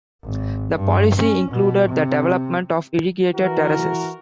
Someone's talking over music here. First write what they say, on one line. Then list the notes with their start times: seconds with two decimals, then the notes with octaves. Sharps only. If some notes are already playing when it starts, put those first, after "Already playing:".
The policy included the development of irrigated terraces.
0.23 G#1
0.75 G2
1.18 C#4
1.52 B2
1.89 C3
3.34 E3 F#4 A#4